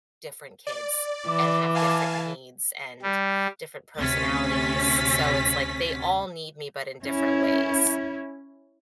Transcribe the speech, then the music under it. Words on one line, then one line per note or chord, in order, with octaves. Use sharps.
different kids, and have different needs and, different personalities, so it's, like, they all need me, but in different ways.
D5
E3 D6
F5 G#5 A5
G3
D2 C3 C#4 A6 B6
C#4 E4